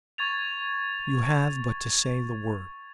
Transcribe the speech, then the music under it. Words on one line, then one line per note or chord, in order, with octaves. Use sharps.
You have but to say the word.
C#6 G#6 A6 F7